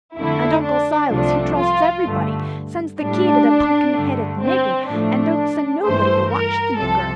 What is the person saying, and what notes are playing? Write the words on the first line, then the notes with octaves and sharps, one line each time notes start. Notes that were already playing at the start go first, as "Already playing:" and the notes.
And Uncle Silas he trusts everybody; sends the key to the punkin-headed nigger, and don't send nobody to watch the nigger.
F2 D3 A3 E4
D4
C2 C3 F3 A3 D4
F4
G2 D3 A3
A2 G3 D4
G2 D3 A3
C4
A2 F3 A3 D4
G2 E3 A3 C5
A#4
C2 C3 F3 A4